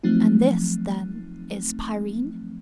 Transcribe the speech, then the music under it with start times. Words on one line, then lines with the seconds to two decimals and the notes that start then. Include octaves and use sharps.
And this, then, is Pirene?
0.03 F3 F#3 A3 C4 D#4